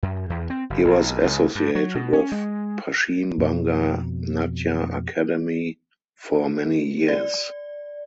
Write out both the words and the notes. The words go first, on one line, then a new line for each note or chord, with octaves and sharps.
He was associated with Paschim Banga Natya Akademi for many years.
F#2
E2
C4
F#1
B1
C#2
G2
F#3
B2
C#4
G#3
F2 B2
D5